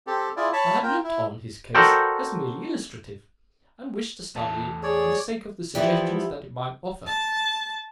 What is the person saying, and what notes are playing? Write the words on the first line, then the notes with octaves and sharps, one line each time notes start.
I had looked on his case as merely illustrative, and wished to study it for the sake of the suggestions that it might offer.
C4 G4 A4
E4 F4 G#4 D5
C#5 A5 B5
F4 A#4 G5
E4
F#4 A4 A#4 C5 D5 G5
E2 A3 A5
G#4 C#5 D5
E3 F3 G3 B3 E4 G4 C5
A5